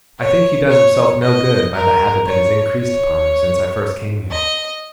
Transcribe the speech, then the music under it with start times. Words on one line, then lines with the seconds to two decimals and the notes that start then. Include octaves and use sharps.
'I think he does himself no good by the habit that has increased upon him since I first came here.
0.19 C#5
0.70 C#5
1.22 D#5
1.74 A#4
2.25 C#5
2.77 C#5
4.31 D#5